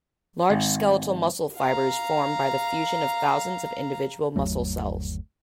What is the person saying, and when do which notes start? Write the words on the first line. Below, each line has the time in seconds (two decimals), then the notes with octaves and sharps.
Large skeletal muscle fibers form by the fusion of thousands of individual muscle cells.
0.50 G#1
1.58 F5 A#5
4.36 G1 D#2 F#3 A3